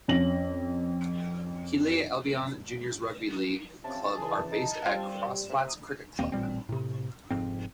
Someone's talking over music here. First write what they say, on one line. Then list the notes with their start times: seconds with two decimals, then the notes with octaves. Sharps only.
Keighley Albion Juniors Rugby League club are based at Crossflatts Cricket Club.
0.08 F2 C#4 A#6 F#7
3.84 C3 C4 C#4 F4 A5
4.17 C#3 E3 G#4
4.52 D#4
4.86 G3 C4 F4 F5
5.49 C3
6.19 E1 D#2 A#3 C4
6.32 A1 A#2 G3 C4
6.69 A2 C3
7.31 F1 F2 G#2 C4